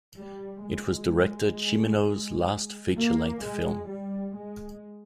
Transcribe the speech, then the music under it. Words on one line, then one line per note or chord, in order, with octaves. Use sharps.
It was director Cimino's last feature-length film.
G3
G#3
A#3
G#3
G3
G#3